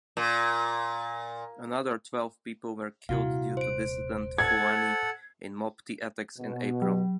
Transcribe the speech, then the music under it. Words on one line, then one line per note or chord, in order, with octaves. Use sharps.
Another twelve people were killed due to dissident Fulani in Mopti attacks in April.
A#2
D#1 C3 E4 F#4 F5
C5 D7
A4 F#5 G#6
B2
F#3